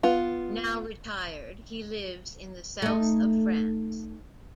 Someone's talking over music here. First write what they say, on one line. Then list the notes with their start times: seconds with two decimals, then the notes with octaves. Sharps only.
Now retired, he lives in the south of France.
0.03 B3 F4
2.82 A3 D#4